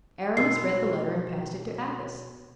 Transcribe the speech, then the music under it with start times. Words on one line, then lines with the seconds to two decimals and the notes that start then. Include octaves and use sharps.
Aramis read the letter, and passed it to Athos.
0.37 B2 F#4 A#4 D#5 C7